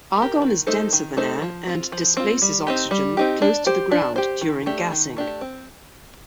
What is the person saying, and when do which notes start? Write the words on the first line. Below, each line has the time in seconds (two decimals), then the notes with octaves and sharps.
Argon is denser than air and displaces oxygen close to the ground during gassing.
0.17 G4 A#4
0.42 D#3
0.67 A3 D#4 A4 C5
0.93 D#3
1.17 A3 D#4 A4 C5
1.42 F3
1.67 C4 F4
1.92 F3
2.17 C4 F4
2.42 G3
2.67 C4 D#4 G4
2.91 G3
3.17 C4 D#4 G4
3.42 D4
3.66 G4 C5
3.91 D4
4.16 G4 C5
4.41 D#3
4.66 A3 D4 G4
4.92 D#3
5.17 A3 D4 G4
5.41 C4